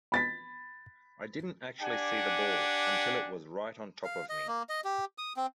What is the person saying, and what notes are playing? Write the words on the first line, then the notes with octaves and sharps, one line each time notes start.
I didn't actually see the ball until it was right on top of me.
B5 A6 B6
D4 G4 F#5 G#5
F5
D#5
A#3
D#5
G4
D#6
C4